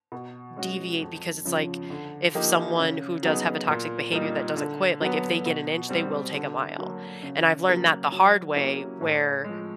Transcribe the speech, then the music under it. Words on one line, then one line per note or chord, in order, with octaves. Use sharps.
deviate because it's, like, if someone who does have a toxic behavior that doesn't quit, like, if they get an inch, they will take a mile, and I've learned that the hard way where,
B2
G#3 C#4 F#4
F2
C#3 F3
D3
F3 A#3 D#4 G4
C#3
F#3 B3 D#4 G#4
A#2
G3 A#3 D#4
D3
F#3 B3
B2
G3 C4
D3
F#3 A#3
C#3
F#3 A#3 C#4
F#3
A#3 C#4 E4 G4
A2
F3 G#3